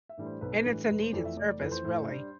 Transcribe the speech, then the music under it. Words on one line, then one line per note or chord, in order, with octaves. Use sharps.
And it's a needed service, really.
E5
A2 E3 G3 D4
C5
B1 B4
A4
B4
A2 E3 G3 D4
F1 B4
C5
F2 E3 A3 D5
E5
F1 D5
D5
F2 E3 A3 B4
C5
A2
G3 D4